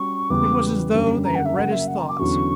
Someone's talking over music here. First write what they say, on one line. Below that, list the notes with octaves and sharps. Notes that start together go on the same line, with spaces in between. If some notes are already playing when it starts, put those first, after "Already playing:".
It was as though they had read his thoughts.
Already playing: G3 C#4 F#4 C#6
E2 C#3 E3 G3 B3 D6
F#2 D3 G3 A#3 C#4
A#5
F#5
E5
C#3 F#3 A#3 C#4 F#5
E5
F#5
A#5
D6
E2 D3 F#3 C#4 F#4 C#6